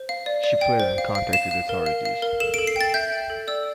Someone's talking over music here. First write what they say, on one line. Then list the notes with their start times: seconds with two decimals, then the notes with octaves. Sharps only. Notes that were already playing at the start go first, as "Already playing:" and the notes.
She fled and contacted authorities.
Already playing: C5
0.09 F5
0.26 D5
0.44 D5
0.61 G5
0.80 C5
0.98 F5
1.15 F5
1.33 F5 E7
1.51 F5
1.69 A#4
1.86 F5
2.05 F5
2.22 A#4
2.40 A4 E7
2.54 A4 D7
2.67 C7
2.76 G5 A6
2.94 E5 G6
3.13 G5
3.30 A4
3.48 D5 E6